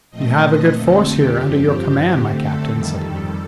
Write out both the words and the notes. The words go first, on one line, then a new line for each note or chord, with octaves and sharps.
"You have a good force here under your command, my Captain," said he.
A#2 F3 A3 C4 D#5
D#5
F2 D3 A3 C4 A4
G4
G2 F3 C4
D3 A3 C4
A4
F2 D#3 G3 A4
A4